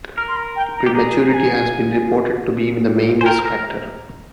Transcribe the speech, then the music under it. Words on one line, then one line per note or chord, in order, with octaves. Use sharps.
Prematurity has been reported to be the main risk factor.
A#4 F6
C6
A#5
G5
A#5
G4
G#4 A#5
A#5
G#5
C5 G#5
A#4 G5
A#4